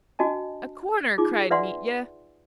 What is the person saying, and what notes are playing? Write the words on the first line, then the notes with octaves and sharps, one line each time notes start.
"A corner!" cried Mitya.
D4 F#4 D#5 G#5 A5
D#4 F4 G#4 D6
B4 D5 E5 F#5 G#5 C6